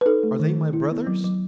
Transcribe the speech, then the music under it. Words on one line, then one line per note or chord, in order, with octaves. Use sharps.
"Are they my brothers?"
B4
D#4 A4
A3
D#3
D#3
E4
B3
F#3
F#3